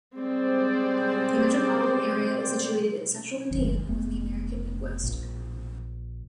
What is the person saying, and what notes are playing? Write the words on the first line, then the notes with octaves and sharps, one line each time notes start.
The metropolitan area is situated in Central Indiana, within the American Midwest.
G3 G#3 C4 C5 D5
F#1 D#2
F1 A3 B3
A#1